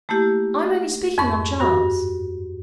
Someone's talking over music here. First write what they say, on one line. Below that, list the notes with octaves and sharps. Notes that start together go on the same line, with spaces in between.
I am only speaking on chance.
A3 A#3 E4 G4
F2 G#2 C#6
G2 F#4